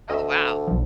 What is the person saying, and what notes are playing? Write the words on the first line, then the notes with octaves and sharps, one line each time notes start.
Oh, wow.
D2 D#5 E5
B1 F3